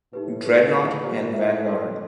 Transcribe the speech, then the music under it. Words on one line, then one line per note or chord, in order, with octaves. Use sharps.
"Dreadnought" and "Vanguard".
A2 D#4 G4 B4
D#4 G#4 B4
A4 D5 F#5 A#5 C#6
A#2 G4 C5 F5 A#5
A2 A#4 C#5 E5
B4 D#5 G5 C6